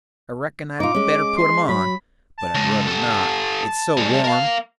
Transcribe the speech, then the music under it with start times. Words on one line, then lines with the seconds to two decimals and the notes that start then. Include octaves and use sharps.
I reckon I'd better put 'em on, but I'd ruther not, it's so warm.
0.80 D#4 F4 D6
0.95 G#3 C#4
1.37 C6
1.69 F#3 B5
2.38 A5
2.55 C#3 G#3
2.87 G4 A4
3.97 G3 G#4
4.24 A#4 F5